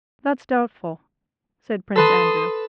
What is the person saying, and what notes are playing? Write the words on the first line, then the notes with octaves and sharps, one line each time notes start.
"That is doubtful," said Prince Andrew.
A4 B4 A5 C6 D#6